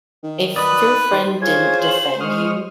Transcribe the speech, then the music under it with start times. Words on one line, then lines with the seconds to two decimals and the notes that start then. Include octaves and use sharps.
If your friend didn't defend you
0.23 D#3
0.56 B4 D5 D#6
1.12 D#3 C5
1.42 F4 G#4 C5 C#5 G#6
1.83 F#7
2.21 G#3 C#6 D#6 F6